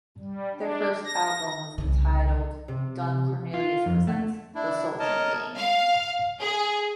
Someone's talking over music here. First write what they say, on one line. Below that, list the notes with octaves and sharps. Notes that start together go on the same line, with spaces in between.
Their first album was entitled Don Cornelius Presents The Soul Train Gang.
G3
D4
A#6
C2 C#3
C3
F4
F2
A3
D4 E4
A#4 C#5 D#5 A5
F5
G#4